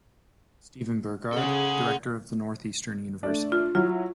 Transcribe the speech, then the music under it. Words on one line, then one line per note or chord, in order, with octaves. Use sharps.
Stephen Burgard, director of the Northeastern Univ.
C#3 G#4 A4 F#5
A3 D4
F4
F#3 E4 F4